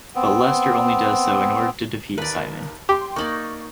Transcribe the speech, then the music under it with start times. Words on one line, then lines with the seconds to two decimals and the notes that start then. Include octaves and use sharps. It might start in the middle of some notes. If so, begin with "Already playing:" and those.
But Lester only does so in order to defeat Simon.
0.15 B3 C4
2.18 D#2 A#4 B4 D5
2.89 G4 G5 C6
3.16 A#3 D#4 D5 C#6 F#7